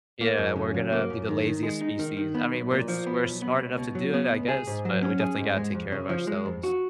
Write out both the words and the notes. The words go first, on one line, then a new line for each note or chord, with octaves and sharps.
Yeah, we're gonna be the laziest species. I mean, we're s we're smart enough to do it, I guess, but we definitely gotta take care of ourselves.
A#3
F#2
C#3
F#3
A#3
F#2
D#3
D#3
G#3
D#4
D#3
D#3
B3
B1
A#2
F3
B3
B1
B3
C#2
B2
F#3
B3
C#2
G#4
G#2
F#3
C#4
G#4
G#2
G#3
F2
C#3
F3
G#3
F2
F#4